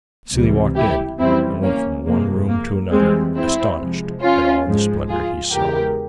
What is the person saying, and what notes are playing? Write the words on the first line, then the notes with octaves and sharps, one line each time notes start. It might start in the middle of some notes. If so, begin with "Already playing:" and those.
Vassili walked in, and went from one room to another astonished at all the splendour he saw.
C#2 C3 E3 G3
E4 G4
F2 C#3 E3 G3 C4 E4
A#3 C#4
F2 C3 F3 G#3 A#3
A#3
F2 E3 G3 G#3 C4
C4 E4
F2 C3 F3 G#3
C#4 F4
G#2 F3 G#3
F4 G#4
E2 C#3 E3 G#3 G4 A#4